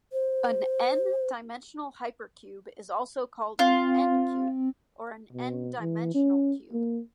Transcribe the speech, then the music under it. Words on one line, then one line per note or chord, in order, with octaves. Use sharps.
An "n"-dimensional hypercube is also called an n"-cube or an n"-dimensional cube.
C5
C4 F4
B2
E3
C#4
A#3